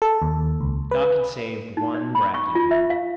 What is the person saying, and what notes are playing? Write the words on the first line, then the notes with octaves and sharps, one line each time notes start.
Doc had saved one bracky weed.
A4
D#2
C#2
B4
D#4
D5
B5
C#6
F4
E5
F5